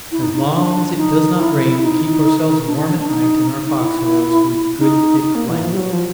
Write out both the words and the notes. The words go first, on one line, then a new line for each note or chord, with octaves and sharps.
As long as it does not rain we keep ourselves warm at night in our fox-holes with good thick blankets.
E4
D#4
D#4
D4
D#4
E4
D#4
D4
D4
D4
D4
D#4
D#4
E4
D#4
D#4
A#3
E3
F3
G3
F#3
F3